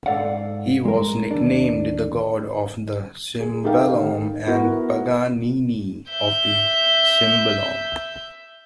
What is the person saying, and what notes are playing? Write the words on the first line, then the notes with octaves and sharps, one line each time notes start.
He was nicknamed "the God of the Cimbalom" and "Paganini of the cimbalom".
G#2 A4 D5 F5 F#5
G#3 A#4
D#2 D4
G#4
D#4 G4 A4 A#4 F5 G5
D#3
B3 E4 F#4 A#4
E5 G6